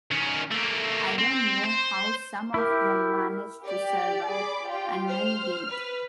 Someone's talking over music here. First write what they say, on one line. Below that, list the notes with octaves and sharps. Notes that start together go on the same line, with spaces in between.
I don't know how some of them managed to survive; and many didn't.
D#3 C#4
A3 A#3
C4
C5
E4 G4 A#4
G4 D5
G#4 B5 D6
F4 G4 G5
C5 F6
B4